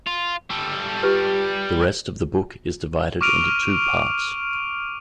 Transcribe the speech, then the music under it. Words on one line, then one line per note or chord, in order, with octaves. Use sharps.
The rest of the book is divided into two parts.
F4
G3 A4
F4 G4 B4
C#6 D6 F6 D7 D#7 F7